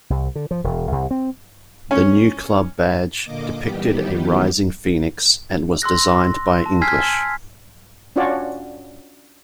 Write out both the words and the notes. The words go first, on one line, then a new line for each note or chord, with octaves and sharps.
The new club badge depicted a rising phoenix and was designed by English.
C2
D3
F3
E1
C2
C4
C#4
A#2 D3 A#3 D#5 D6
D#3 E3 G3 B3 G4
C6 E6 F#6 A#6
A5
G#5 E6 F6 G#6 B6 C7
C#4 D4 F4 F#4 C#5 D5